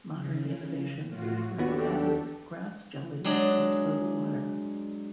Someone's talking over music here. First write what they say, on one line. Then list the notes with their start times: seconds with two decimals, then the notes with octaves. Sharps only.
Modern innovations include adding grass jelly or soda water.
0.13 C#3
1.05 A2 F4 F#4
1.58 D#2 B3 D4 F#4 G4 A4
3.24 F#3 G#3 D4 G#4